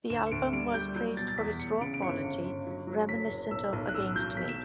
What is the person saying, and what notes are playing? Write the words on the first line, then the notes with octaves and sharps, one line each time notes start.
The album was praised for its raw quality, reminiscent of Against Me!
D2 E7
C#7
D2 D7
G3 D7
G3 G6
F#3 G6
B2 A6
A6
E2 B6
E2 C#7
C#3 D7
D7
G1 C#7
G1
G1
F#3
F#3
F#1 B6
F#1
B1 E6
B1
F#6
A1 E6
F#3 G6
B2 B6
E7